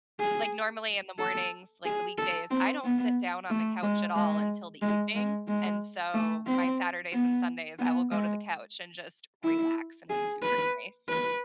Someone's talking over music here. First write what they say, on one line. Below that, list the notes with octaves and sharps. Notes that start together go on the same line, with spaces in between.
like, normally in the mornings, like, the weekdays, I don't sit down on the couch at all until the evening. And so, my Saturdays and Sundays, I will go to the couch and just relax and it's super nice.
G#4
A4
G#4
A4
C4
B3
A3
G#3
G#3
G#3
G#3
G#3
A3
C4
B3
B3
G#3
E4
G#4
B4
B4